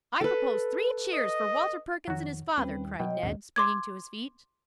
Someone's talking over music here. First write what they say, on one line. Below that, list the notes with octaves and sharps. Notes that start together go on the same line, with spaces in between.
"I propose three cheers for Walter Perkins and his father," cried Ned, springing to his feet.
A4 B4
D#5
F2 D#3 F#3 F#4
D#2 G3 C4 C#4 B4
B2 F#3 D#5 G5
G#1 D#2 A#2 C#4
C6 D6 G#6